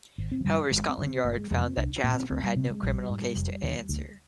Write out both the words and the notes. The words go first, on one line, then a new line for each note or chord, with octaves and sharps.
However, Scotland Yard found that Jasper had "no criminal case to answer".
G#1
C4
F3
G2 D3 G3
G#1 G#3
C4
G2
D3 C4
G1 A#3
G#3
F2 C3 G#3
C4
C2 D4
A#2 A#3
C4
D2 C4
G3
C3 C4
G#3
A#1 G3
G#2
F1
D#2 D3
D2